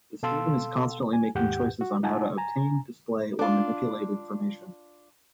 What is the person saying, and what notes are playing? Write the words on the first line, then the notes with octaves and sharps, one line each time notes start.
The student is constantly making choices on how to obtain, display, or manipulate information.
B2 A4 F5 A5 C6 E6
G#5
D#2 G#2 G4 F#5 G6
F#4
D#4 F4 F#5 G#5 A5
G#5 A#5
D4 F4